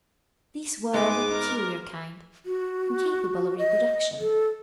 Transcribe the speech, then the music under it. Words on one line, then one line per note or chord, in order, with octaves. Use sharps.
These were of a peculiar kind, incapable of reproduction.
G#2 G#3 B3 G#5 D6
A#4
F#4
D#5
A4